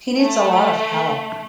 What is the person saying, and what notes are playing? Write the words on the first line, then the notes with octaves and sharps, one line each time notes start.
He needs a lot of help.
A3